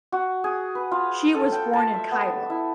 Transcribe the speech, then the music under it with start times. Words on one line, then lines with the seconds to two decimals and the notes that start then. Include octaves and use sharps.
She was born in Cairo.
0.12 F#4
0.44 G#4
0.75 B4
0.91 F4
1.34 A4
1.52 G5
1.73 A5
1.94 E5
2.12 B3
2.50 E4